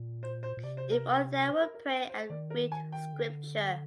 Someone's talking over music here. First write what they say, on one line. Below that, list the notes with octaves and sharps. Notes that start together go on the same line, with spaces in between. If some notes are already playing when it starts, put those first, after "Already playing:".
If only they would pray and read Scripture!
Already playing: A#2
C5
C5
A#2
C3 D5
C5
A#4
C5
A#4
A#4
C5
C5
D#3 D5
A#4
G#5
G5
D3